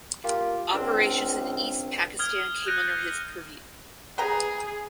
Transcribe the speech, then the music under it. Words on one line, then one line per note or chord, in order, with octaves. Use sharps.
Operations in East Pakistan came under his purview.
A#3 F4 G4
C#2 C4 D4
D#6 F6 G#6 G7
F#6 G6 A#6 C#7 D#7
G#4 B4 G5 A#5